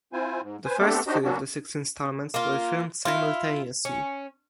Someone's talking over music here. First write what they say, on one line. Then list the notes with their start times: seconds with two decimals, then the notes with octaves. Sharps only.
The first three of the six installments were filmed simultaneously.
0.13 C4 E4 F4 C5 G#5
0.42 G#2
0.65 B4 C5 G#5
0.79 A3 B3 C4 D4 G4 A4
1.07 D4 D#4 F#4 G4 C5 D#5
1.24 F#3 A#3 B3 C#4 D4 F#4
2.34 A#3 F4
3.05 E4 F4
3.85 C#4